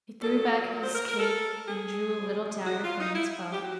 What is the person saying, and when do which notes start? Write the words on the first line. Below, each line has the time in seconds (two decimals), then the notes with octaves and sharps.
He threw back his cape and drew a little dagger from his belt.
0.21 A#2 F#3 A#3 A4
0.83 C5
0.95 A#4
1.08 A#4
1.20 A4
1.68 G#4
2.17 C3 F3 G#3
2.66 F#4
2.84 F4
3.00 D#4
3.15 E4
3.53 G4
3.65 F#4